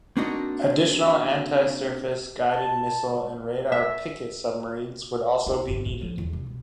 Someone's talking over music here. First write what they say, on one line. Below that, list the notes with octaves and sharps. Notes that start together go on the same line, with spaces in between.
Additional anti-surface, guided missile, and radar picket submarines would also be needed.
A#3 C4 D4 D#4 F#4 D#5
A5
E5
D#4
G1
A2
F3
E2
C2
B2